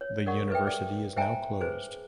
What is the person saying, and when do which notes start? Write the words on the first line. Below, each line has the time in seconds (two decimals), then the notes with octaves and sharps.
The university is now closed.
0.01 C#5
0.26 A#4 D5 F#5 C#6
0.50 A4 B4 E5 G5
0.67 G#4 D5 D6
1.16 C5 E5 G5 G#5 A#5
1.61 G#4 B4 C5